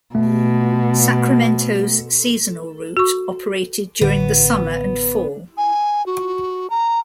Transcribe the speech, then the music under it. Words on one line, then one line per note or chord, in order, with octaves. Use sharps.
Sacramento's seasonal route operated during the summer and fall.
B2 A3
F#4 C#6
A1 D3 B3
G#5
F#4
A#5